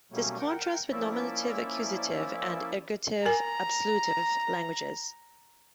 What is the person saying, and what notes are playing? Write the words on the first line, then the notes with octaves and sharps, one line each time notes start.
This contrasts with nominative-accusative and ergative-absolutive languages.
B2 F#3 G3 A3 A#3 C#4
A#4 F#5 G5
F3 A#3 C#4 E4 D5 E5
A#4 G#5 A#5